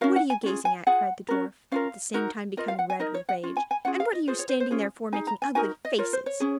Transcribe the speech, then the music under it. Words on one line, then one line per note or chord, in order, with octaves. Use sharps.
"What are you gazing at?" cried the dwarf, at the same time becoming red with rage; "and what are you standing there for, making ugly faces?"
C#4 F#4 A#4 F5
F#5
G#5
C#4 F4 G#4
G#5
F4 G#4 F#5
C#4 F#4 A#4
C#4 F4 A#4 F5
D#4 F#4 A#4
F4 A#4 D#5
F5
F#5
G#5
D#4 A#4 D#5
C#5
F#5
C#4 F4
G#5
G#5
C#4 F4 G#4 F#5
F5
D#5
F4 G#4 C5
C#5
C5
C5
C#4 F4 G#4
D#4 G#4 G#5
A#5
G#5
D#4 F#4 A#4 G#5
D#5
F4 A#4 C#5
C5
C#5
C#4 G#4